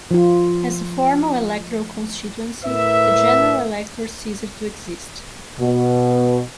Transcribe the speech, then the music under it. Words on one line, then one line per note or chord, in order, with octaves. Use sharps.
As a formal electoral constituency, the General Electors ceased to exist.
F3 F4
A2 A#4 B4 E5
B2